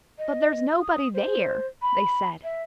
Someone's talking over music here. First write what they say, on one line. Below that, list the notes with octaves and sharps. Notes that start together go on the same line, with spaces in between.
"But there's nobody there," they said.
D#5
D#6
C5
B5
E5